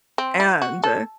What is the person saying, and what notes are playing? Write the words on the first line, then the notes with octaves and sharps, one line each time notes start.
and, eh
C4
E4
F#4
A4